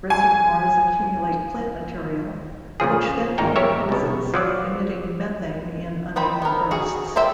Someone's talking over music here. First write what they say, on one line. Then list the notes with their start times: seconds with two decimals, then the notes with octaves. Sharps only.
Reservoirs accumulate plant material, which then decomposes, emitting methane in uneven bursts.
0.10 G#5
2.80 A#2 C#3 F3 G#4
3.38 G#1 E2 D#4 A#4 G5
3.56 G4 A#4 C#5 E5
3.89 C2 B2
4.34 F3 F#3 D5
6.16 D#3 C4 G5 B5
6.42 B3 A#4
6.71 F#4 G#4
7.16 F4 G4 C5 E5 G5